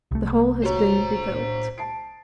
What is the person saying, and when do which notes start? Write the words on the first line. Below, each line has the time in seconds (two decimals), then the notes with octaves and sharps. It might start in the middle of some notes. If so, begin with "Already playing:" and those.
The whole has been rebuilt.
0.11 C2 A3
0.64 F#4 C5 C#5 A#5
1.78 A5 C7 D7